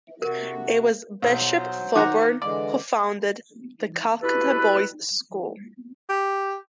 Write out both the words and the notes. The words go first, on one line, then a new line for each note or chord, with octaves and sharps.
It was Bishop Thoburn who founded the Calcutta Boys' School.
C3 F#4 A#4
B1 F#3 C5
D#3 F#5 A#5 D6
D3 E3 G#3 D5
B2 E4 G4 A4 B4
G4